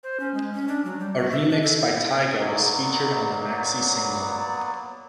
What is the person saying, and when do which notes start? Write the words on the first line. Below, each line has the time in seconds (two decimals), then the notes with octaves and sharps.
A remix by Tiga was featured on the maxi-single.
0.03 C5
0.20 C#4
0.34 G#3
0.54 C#4
0.68 D4
0.85 F#3
1.00 G3
1.17 F#4
1.31 E5
1.50 D4
1.62 A4
1.79 E4
2.39 F#3 A#3 B3 D5